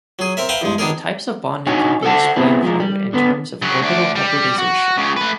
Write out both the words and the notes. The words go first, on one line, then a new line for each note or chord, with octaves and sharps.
The types of bonding can be explained through in terms of orbital hybridization.
F#3 G#4
C4 A#4 E5
B4 E5 F5 G5 A#5
E2 G2 G#3
D#3 B3 D4 G#4 A#4
D4 D#4 F#4 C#5 G#5
A4 C5 F#5 A5
B3 C4 E4 G#4 B4
F3 G#3 A#3
G3
D3 B3 B4
C#3 F#3
D2 D4
G3
F#4
C#2 C#3
A3 B4